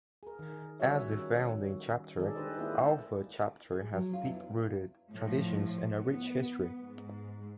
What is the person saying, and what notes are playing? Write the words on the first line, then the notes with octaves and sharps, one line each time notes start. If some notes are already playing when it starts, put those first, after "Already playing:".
As the founding chapter, Alpha Chapter has deep rooted traditions and a rich history.
G#4 A#4
D#3
D#3 G3 C#4 F#4 C#5 E5
D#3 G#3 D#4 G#4 A4 D5
D4 G4 B4 C5 D#5
G#3 A#3 D4 E4 F4 B4
G#4
F#3
C#4 F4
B3 D4 E4
A2 F3
B3
G#2